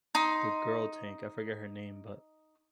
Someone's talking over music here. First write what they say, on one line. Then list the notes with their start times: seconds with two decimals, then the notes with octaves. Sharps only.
the girl tank, I forget her name, but,
0.15 D#4 C6